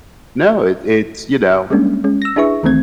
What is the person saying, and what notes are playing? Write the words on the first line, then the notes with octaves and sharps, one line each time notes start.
No it it's you know,
G3 G#3 A#3 C#4 D4
G#3 C#4
E6 A#6
D4 E4 G#4 B4 E5 C#6
C#2 D#3 E3 A3 C4 G#6